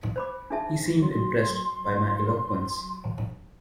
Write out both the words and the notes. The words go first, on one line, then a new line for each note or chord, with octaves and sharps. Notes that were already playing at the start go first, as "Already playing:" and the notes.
He seemed impressed by my eloquence.
C5 B5 D6
D4 D#4 G#4 E5 A5
F#3 C6